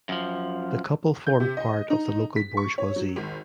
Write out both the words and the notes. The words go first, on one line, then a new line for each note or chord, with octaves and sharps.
The couple formed part of the local bourgeoisie.
F#2 F3
G6
C3
D#5
D#4
B6
C#6
C#5
F#3
G#1